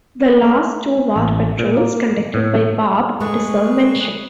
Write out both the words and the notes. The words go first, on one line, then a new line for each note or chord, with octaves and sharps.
The last two war patrols conducted by "Barb" deserve mention.
A3
A1
A#2
A#3
A2
G#3 A3 G#4 B4 C#6